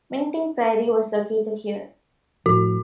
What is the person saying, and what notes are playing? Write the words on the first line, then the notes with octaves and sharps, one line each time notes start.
Minting Priory was located here.
A2 F3 F#4